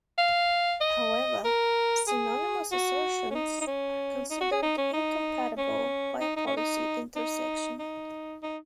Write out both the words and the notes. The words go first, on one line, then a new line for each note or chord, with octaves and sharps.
However, synonymous assertions are considered incompatible by a policy intersection.
F5
D#5
A#4
G#4
F#4
C#4
D#4
D#4
C#4
D#4
F#4
G#4
D#4
C#4
D#4
C#4
D#4
D#4
C#4
D#4
D#4
D#4
D#4